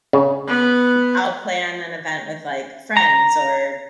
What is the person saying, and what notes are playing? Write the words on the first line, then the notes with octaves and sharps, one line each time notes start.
I'll plan an event with, like, friends or
C#3
B3
A#5